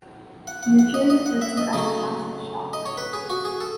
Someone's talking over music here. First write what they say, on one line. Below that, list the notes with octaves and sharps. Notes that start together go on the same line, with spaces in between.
Usually referred to as a "class" of shock.
F#5
F#5
F#5
D#5
D#5
F#5
E5
D#5
C#3 F#3 A3 D#4 D#5
D#5
C#5
B4
G#4
F#4
G#4
A4